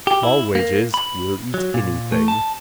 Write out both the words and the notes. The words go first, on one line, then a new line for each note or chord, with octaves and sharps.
Small wages. Will eat anything.
G4
E4
A#3
B5
F#3
A#2
A3
A5